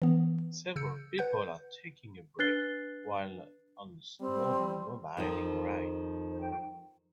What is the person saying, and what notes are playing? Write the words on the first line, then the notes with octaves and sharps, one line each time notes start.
Several people are taking a break while on a snowmobiling ride.
E3 B3
C#3 E6 G6 C#7
B4 F#5 G6
D4 B4 F#6 A6 C7 G7
G3 C4
F2 D#3 F3